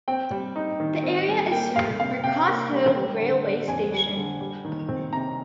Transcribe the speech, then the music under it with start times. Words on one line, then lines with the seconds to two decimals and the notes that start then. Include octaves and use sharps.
The area is served by Crosshill railway station.
0.08 C4 G5
0.31 G3
0.56 D#4
0.80 D#3
1.03 C4
1.28 G3
1.52 A#3 G5
1.76 G3 F5
2.00 C3 F5
2.24 C3 G5
2.48 A#3
2.72 G3
2.96 G3
3.20 D3
3.44 D4
3.68 F2 G#5
3.92 G3
4.17 D3
4.40 G3
4.65 D#3
4.88 C4
5.13 C3 A#5